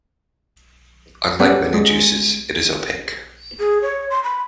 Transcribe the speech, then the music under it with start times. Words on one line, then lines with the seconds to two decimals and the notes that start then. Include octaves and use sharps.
Unlike many juices, it is opaque.
1.40 G3 B3 C#4 A4 D5 F#5
1.74 G#3
3.60 G#4
3.82 C#5
4.10 C6
4.23 B5